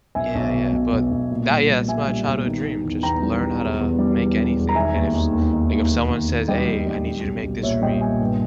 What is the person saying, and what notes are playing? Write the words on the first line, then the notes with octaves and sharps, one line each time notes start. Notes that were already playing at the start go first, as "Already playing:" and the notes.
yeah, yeah, but that yeah, that's my childhood dream, just learn how to make anything and if s like, if someone says, "Hey I need you to make this for me,"
B1 E5 G#5
B1
B2
B1
B1
B1
A#2
G3
G3
G3 E5 G#5
G3
B1
D#3
D#3
E2
E2 G5 A#5
G3
G3
E1
E2
G3
E2
G3
E1
A#5
D#3 E5 G#5
D#2
D#3
D#2
D#3
D#2
D#2
D#2
D#2
G3 D#5 G5
G3
G3
G3
B1
B1
A#2 C#5 E5
G3 D#5 G5
A#2 E5 G#5
G2